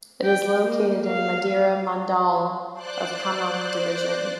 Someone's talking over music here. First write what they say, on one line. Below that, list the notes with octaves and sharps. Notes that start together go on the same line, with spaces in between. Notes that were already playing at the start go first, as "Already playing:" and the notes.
It is located in Madhira mandal of Khammam division.
G5
A#3
F5
C5 D5 F#6